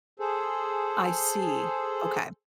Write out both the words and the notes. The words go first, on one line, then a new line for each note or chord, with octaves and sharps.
I see, okay.
G#4 A4 C5